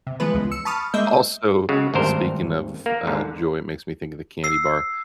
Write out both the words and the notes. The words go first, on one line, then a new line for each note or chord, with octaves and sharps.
also speaking of, uh, joy- it makes me think of the candy bar.
C3
E3 F3 G#3 B3 B4
C#2 G#3
E6 C#7
A5 B5 C#6 D#6 F6
G#3 A#3 D#5 E5 E6 G6
C#3 F#3 G#3
G#1 D2 G2 A#4 C5
A#3
G#2 D3
E6 C7